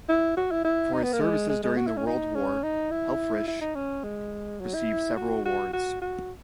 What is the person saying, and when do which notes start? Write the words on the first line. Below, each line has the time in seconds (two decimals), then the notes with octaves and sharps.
For his services during the World War, Helfrich received several awards.
0.09 E4
0.37 F#4
0.51 E4
0.64 E4
0.93 D#4
1.03 B3
1.13 A#3
1.21 G#3
1.49 G#3
1.63 G#3
1.77 F#4
1.87 E4
1.97 C#4
2.07 D#4
2.35 C#4
2.63 D#4
2.91 E4
3.48 E4
3.61 D#4
3.75 C#4
4.04 G#3
4.60 F#3
4.74 E4
5.16 F#4
5.46 F#4
5.73 F#4
6.02 F#4